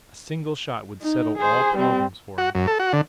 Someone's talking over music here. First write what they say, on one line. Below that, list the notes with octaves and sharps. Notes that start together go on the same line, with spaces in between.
A single shot would settle all problems for him....
D#4
G#4 C5
G3 C4
F#4
F#2
A4
F#4
D3